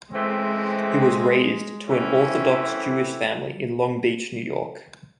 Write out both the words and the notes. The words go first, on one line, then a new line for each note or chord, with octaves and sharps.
He was raised to an Orthodox Jewish family in Long Beach, New York.
C#3 E3 G#3 A3 C4
F#2 E3 A3 C4 C#4 E4